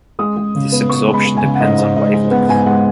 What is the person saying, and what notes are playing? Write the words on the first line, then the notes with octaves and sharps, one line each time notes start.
This absorption depends on wavelength.
G#3 D#6
G#3
C#3
B3
B3 C#6
G#3
B5
G#3
G#5
C#3
F#5
G#2 D#5
G#2
G#2 D#5
G#3
B3 F#5
G#2 G#5
G#3 F#5